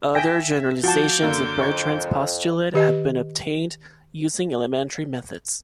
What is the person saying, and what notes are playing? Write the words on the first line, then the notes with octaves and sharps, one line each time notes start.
Other generalizations of Bertrand's Postulate have been obtained using elementary methods.
E5 G5 G#5 A#6 B6
F3 F#4 A5 D6 G6
F#2 D3 A#3
F2 C#6
D#3 G4 D#5